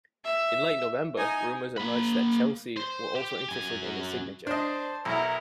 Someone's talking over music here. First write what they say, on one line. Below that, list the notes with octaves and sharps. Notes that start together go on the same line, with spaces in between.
In late November, rumours emerged that Chelsea were also interested in his signature.
E5
D#4 G#5
A#3 B5
C5
G4
F#2 G#5
D4 C5 D#5 A5
B1 E4 A#4 A#5